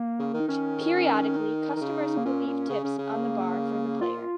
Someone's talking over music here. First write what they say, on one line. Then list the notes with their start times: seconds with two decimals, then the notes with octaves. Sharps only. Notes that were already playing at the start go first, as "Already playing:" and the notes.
Periodically, customers will leave tips on the bar for the player.
Already playing: A#3
0.19 C#3
0.34 D#3
0.40 D#4
0.48 D#3 C#4
1.36 D#4
1.76 D#3
1.81 C#3
2.17 A#3
2.25 A#2 C#4
2.47 A#2
2.69 C#3
2.84 C#3
2.98 C#3
3.13 A#3
4.01 A#2 F4